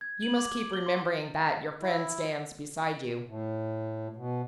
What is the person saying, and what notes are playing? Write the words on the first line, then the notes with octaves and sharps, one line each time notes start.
You must keep remembering that your friend stands beside you.
G#6
F#7
D6
G7
C6
E4
A2
B2